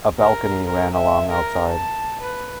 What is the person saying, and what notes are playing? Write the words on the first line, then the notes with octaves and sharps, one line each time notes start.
A balcony ran along outside.
A#4
A#4
E5
A#4
A5
B4